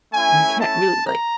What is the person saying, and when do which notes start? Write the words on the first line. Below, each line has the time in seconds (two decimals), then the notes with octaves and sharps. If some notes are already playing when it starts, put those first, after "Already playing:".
you can't really, like
0.13 A3 C#4 E4 G#5
0.60 A5
1.07 A#5